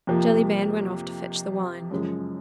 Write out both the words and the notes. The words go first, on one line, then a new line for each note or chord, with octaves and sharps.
Jellyband went off to fetch the wine.
F2 C3 F3 A#3
F#2 C#3 F3 G#3